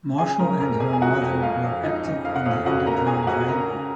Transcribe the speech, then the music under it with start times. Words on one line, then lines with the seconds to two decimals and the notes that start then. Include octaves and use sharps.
Marshall and her mother were active on the Underground Railroad.
0.18 C#3 G#4 G#5
0.39 C#3 A#4 A#5
0.60 F2 A#4 A#5
0.80 F2 G#4 G#5
0.93 G#5
1.01 F3 F#4 F#5
1.22 F2
1.42 F3 F4 F5
1.64 F2
1.83 F3 D#4 D#5
2.04 C#3
2.24 F2 F5
2.36 F#5
2.45 F2 F4 F5
2.66 F2 F#4 F#5
2.86 C#3 A#4 A#5
3.07 F2 G#4 G#5
3.23 G#5
3.27 F2 F#4 F#5
3.48 C#3 A#4 A#5
3.68 C#3